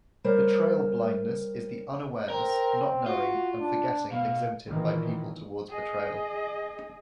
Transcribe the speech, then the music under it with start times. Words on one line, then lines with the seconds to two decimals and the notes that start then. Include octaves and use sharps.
Betrayal blindness is the unawareness, not-knowing, and forgetting exhibited by people towards betrayal.
0.24 G3 A#4 C5 C#5
2.30 C4 A#4
3.06 F4 F#4
3.60 D4
4.12 B2 F5
4.68 A#2 D#3 E3
5.69 G#4 D#5